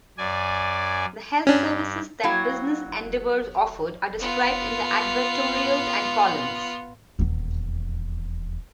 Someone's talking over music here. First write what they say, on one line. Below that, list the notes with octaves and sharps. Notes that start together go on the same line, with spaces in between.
The health services that business endeavors offered are described in the advertorials and columns.
F#2 D5 G#5
G2 C#4 D4
F#3 A#3 E4 F#4 F5 G5
B3 F4
D#1 E2